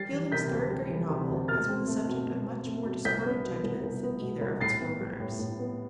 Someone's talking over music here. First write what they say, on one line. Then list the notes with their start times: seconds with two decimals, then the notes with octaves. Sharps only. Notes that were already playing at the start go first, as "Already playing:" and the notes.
Fielding's third great novel has been the subject of much more discordant judgments than either of its forerunners.
Already playing: G3 A6 C7
0.12 E3
0.32 C3 G6 B6
0.51 D2
0.70 G3
0.90 E3
1.10 C3
1.30 D2
1.48 B2 F6 A6
1.68 C4
1.87 A3
2.08 B2
2.26 B2
2.46 C4
2.66 A3
2.85 B2
3.05 C2 G6 B6
3.25 B3
3.44 B2
3.64 C2
3.83 C2
4.03 B3
4.21 B2
4.41 C2
4.61 A2 A6 C7
4.81 B3
5.00 G3
5.19 A2
5.39 A2
5.59 B3